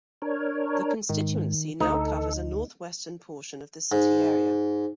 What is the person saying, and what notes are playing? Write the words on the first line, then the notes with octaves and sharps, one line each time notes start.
The constituency now covers a north western portion of the city area.
D4 A#4 C#5
G#2 D#3
D2 D#4 A4
G#2